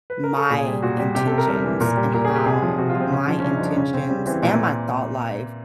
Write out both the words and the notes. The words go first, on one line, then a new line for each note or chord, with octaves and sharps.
my intentions, and how my intentions and my thought life
B4
A#4
A4
A#2 G#4
G3
A#2 F#4
G3
C3 G4
A4
C3
A#4
G3 A#4
E3
A#2 A#4
G3
A#2 A#4
G#4
G3
G4
C3 G#4
F3
C3 F#4
F4
F3
C4
C#3 C#4
F3
C#4
C#3 D4
E4
D#4
F3
D4
C#3 C#4
C#3 C4
G3 C4
E3 C4
A#2